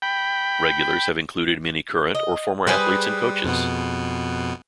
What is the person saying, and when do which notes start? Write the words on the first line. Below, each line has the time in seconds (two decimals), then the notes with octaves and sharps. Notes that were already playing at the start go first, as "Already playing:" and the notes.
Regulars have included many current or former athletes and coaches.
0.02 G5 B5
2.15 D#5
2.67 G3 G#4 B4 C5
3.44 F2 B2 B3